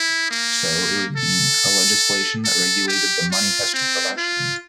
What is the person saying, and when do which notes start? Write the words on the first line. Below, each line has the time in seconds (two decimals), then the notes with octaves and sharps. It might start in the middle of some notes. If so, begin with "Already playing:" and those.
So, it would be a legislation that regulated the money tester profession.
Already playing: E4
0.31 A#3
1.17 A4
2.45 A4
2.88 G4
3.31 F4
3.74 C4
4.17 F4